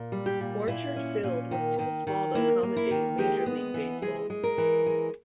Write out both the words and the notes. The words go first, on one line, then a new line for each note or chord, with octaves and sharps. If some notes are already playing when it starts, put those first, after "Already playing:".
Borchert Field was too small to accommodate Major League Baseball.
Already playing: A#2
G3
G4
A#2
A#2 E4
C#4
A#2
D#3
D#3
D#3
A#3 E4
A#3
E4
D#3
G#3 G4
B3
E3
G#3 G#4
G#3
A#4
E3
G#3